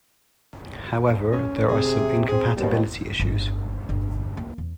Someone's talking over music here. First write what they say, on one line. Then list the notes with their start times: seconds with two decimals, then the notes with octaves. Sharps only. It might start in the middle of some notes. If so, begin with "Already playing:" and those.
However, there are some incompatibility issues.
1.32 C#4
1.68 C3 G#4
2.28 C4 G#4
2.56 D#2 B2 G3
3.20 G1 G#3
3.89 G1 D2
4.37 A#3
4.58 E2